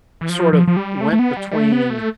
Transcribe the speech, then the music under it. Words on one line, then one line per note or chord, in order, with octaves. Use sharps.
sort of went between,
E3
F3
F3
F3
G3
A3
A3
B3
G3
G3
A3
B3
A3